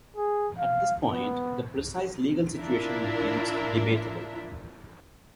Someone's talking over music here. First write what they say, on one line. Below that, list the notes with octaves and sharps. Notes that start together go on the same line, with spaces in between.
At this point, the precise legal situation becomes debatable.
G#4
F5
B3
D4 E4 F4 A#4 E5